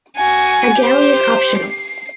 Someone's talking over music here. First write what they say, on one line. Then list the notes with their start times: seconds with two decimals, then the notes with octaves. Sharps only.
A galley is optional.
0.16 F#4 G#5
0.78 G4 C5
1.57 C7